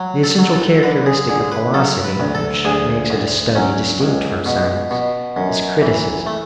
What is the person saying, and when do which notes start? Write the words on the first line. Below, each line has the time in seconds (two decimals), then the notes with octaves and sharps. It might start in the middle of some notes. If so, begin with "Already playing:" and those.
The essential characteristic of philosophy, which makes it a study distinct from science, is criticism.
Already playing: F#3
0.24 A4
0.38 F#3
0.53 A4
0.83 D3 B4
1.06 G#4
1.29 D3 G#4
1.52 B4
1.74 F#3 A4
2.04 B4
2.20 D2
2.35 A4
2.65 D2 G#4
3.10 D2
3.55 F#3 C#4
4.01 C#2
4.46 B2
4.91 B2
5.36 F#2
5.81 E3
6.27 A3